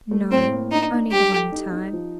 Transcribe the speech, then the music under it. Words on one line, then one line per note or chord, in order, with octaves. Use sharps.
"No, only the one time."
A3
A2 C4
A#3
D4 D#4
D4
G3 G4
A4
D#4
D#4
F3